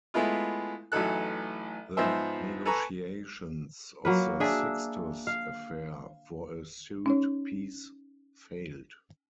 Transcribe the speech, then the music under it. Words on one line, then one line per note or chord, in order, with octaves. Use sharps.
The negotiations of the Sixtus Affair for a sued peace failed.
G#3 A3 B3 E4 F4
A1 E3 F#3 D#4 A4 F#6
G#2 F3 B3 C5 E5
A4 B4 G#5 A#5 C#6
F#3 A#3 B4
D4 G#4 E5
F5
C#4 D#4 C#5